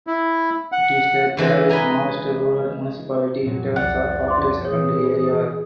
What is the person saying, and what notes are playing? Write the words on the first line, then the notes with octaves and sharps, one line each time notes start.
It is the third smallest rural municipality in terms of population and area.
E4
F#5
D3 E3 G#3
B4 D#5 G#5 A#5
F2 A#2 F#3
C2 F2 F3 D5 F#5
C6 D6
A#2 E3 G#4 C#5